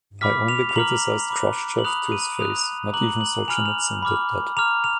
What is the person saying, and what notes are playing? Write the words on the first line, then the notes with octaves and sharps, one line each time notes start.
Only I criticised Khrushchev to his face; not even Solzhenitsyn did that.
B5 D6 F6 B6
F7
F7
A#5 D6 F6 F#7
B5 D6 F#6
F#7
B5 D#6 F#6 F7
D#7
B5 D#6 F#6 F7
A#5 D6 F#6 F#7
F#7
G#5 B5 F6 F7
F#7
F7
B5 D6 F6
A#5 D6 F6 F7
F7